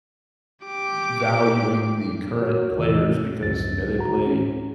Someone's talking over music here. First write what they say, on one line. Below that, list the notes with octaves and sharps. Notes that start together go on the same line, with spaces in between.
valuing the current players because, you know, they play
G4 D6
F#4 A#4 C#5
E2 C3 E3 D#5 E6
A3
C#2 F#2 A6
D2 F#4 A#5
C#4